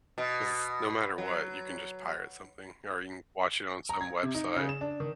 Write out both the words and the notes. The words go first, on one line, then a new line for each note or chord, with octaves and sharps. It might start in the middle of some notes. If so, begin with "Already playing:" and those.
'cause, no matter what, you can just pirate something, or you can watch it on some website.
B2
F#3
A#5
G#6
C3
D#4
C#3
E7
D4
D#3